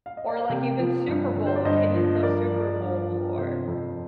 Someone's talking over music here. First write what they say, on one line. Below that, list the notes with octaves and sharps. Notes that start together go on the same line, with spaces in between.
or, like, even Super Bowl, opinions of Super Bowl, or,
F5
D#5
D5
C5
C3 G4 A#4
F3
G2
D3
C5
D5
G2 C5 D#5
F3
G2 A#4 D5
F3
G2
F3
C3 A4 C5
F2